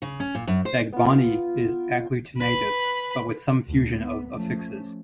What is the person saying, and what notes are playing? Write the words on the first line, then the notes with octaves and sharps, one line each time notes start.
Dagbani is agglutinative, but with some fusion of affixes.
C#3
C#4
A#2
F#2
C5
B3 F4
B4 B5
D2 A#2
B3
F3 A3 C#4